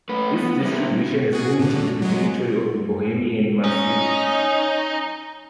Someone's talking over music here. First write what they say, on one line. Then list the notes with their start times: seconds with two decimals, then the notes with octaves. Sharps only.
Its distribution is limited to the territory of the Bohemian Massif.
0.09 A3 B4
0.36 B3
0.60 G3 E4
1.33 F#4 G#4
1.59 A2 D3
2.02 F#3 G#3
3.64 C#4 D#4